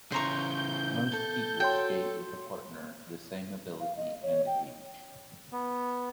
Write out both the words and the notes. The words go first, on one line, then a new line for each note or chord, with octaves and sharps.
Most people skate with a partner the same ability and age.
C#3 E3 C5 A#5 C#6 G6
A4
F#4 C#5 G5 C6
F5
D#5
C#5
G5
B3